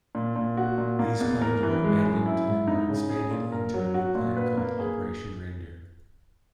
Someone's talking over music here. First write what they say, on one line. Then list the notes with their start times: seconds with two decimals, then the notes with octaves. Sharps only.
These plans were abandoned and were expanded into a new plan called Operation Reindeer.
0.15 A#2
0.36 A#2
0.57 F#4
0.78 A#2
0.99 A#3
1.20 E2
1.42 A#4
1.63 E3
1.84 G#3
2.05 F#2
2.26 E4
2.47 G#2
2.67 D#4
2.89 C#3
3.10 G#4
3.31 A#2
3.52 A#4
3.74 F#3
3.94 F#4
4.15 A#2
4.37 B4
4.57 A#3
4.79 G#4